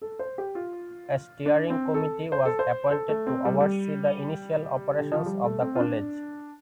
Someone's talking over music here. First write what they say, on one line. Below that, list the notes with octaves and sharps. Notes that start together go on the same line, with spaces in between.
A steering committee was appointed to oversee the initial operations of the College.
A4
C5
G4
F4
D4
C4
A4
C5
A4
C5
A4
A3
C4
G3
A3
G3
D3
F3
G3
A3
C4
F4
D4